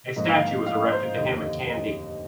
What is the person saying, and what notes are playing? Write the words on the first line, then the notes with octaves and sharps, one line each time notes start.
A statue was erected to him at Kandy.
G#2 F3 A#3 F4 D#5
F5
F5
D#5
C5
F1 D#2 D3 D#5